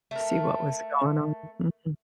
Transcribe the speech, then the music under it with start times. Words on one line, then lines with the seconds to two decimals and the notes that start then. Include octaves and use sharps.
See what was going on. Mhm.
0.11 A3 A#4